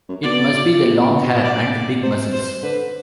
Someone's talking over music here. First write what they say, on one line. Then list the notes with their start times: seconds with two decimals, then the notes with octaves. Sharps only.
It must be the long hair and big muscles.
0.09 F#2
0.23 B2 D5
0.83 B2
1.43 D5
2.03 C3 C5
2.33 C5
2.62 D3 B4